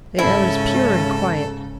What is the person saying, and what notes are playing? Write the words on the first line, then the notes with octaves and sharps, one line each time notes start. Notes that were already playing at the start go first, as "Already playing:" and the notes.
The air was pure and quiet.
G#2 C#3 C#4 E4 A4